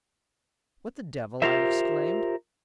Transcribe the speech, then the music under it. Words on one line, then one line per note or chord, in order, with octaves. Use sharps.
"What the devil!" I exclaimed.
F4 G4 A#4 C5 E5